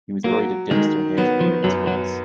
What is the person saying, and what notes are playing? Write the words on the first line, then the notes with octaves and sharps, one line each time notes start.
He was buried at Dempster Head near Esperance.
F#3 A#3
D#3 G#3
F#3 B3
F3
F#2 F#3
F#3